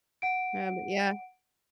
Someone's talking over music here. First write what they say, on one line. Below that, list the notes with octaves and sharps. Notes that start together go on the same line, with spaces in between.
Habit, yeah.
F#5 D7